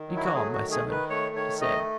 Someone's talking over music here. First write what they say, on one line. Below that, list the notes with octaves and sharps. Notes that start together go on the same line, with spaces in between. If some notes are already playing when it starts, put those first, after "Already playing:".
"Be calm, my son," he said.
Already playing: D#3
F#3
E4
F#4
A3 G#4
F#4
D#3
G#4
D#3
B4
A3 C#5
D#3 C#5
A3 D#5